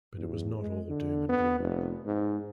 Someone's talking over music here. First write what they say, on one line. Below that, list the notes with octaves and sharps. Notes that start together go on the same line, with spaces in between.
But it was not all doom and gloom.
E2
G#3
D3
B3
F1
G#2